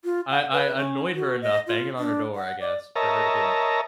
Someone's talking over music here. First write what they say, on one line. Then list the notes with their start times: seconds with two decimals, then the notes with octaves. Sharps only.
I I annoyed her enough banging on her door, I guess, for her to be like,
0.04 F4
0.30 F#5
0.52 B4
0.77 C#4
1.15 F#4
1.42 D#5
1.67 F4
1.98 D4
2.35 F#5
2.60 D5
2.96 A#4 C#5 D#5 E5 A5 A#5